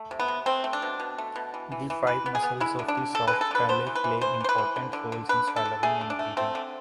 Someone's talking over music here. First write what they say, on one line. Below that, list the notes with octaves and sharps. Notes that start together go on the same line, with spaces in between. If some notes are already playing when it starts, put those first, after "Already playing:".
The five muscles of the soft palate play important roles in swallowing and breathing.
Already playing: A3
C3
B3
C3
A3 C4
A3
D4
B2
B2
A3
B2
E3
E3
E3
E3 B4
B3
G#4
B3
G#3 E4
D3
D4
D3
D3 A4
B4
G#3
A4
D3 B4
B3 C5
E3
B4
E3
E3 C5
E3 C5
B4
E3
D3
D3
D3
D3 B4
D3
A4
D3
A3 G#4
D3
D4
A3
A3 C4
D3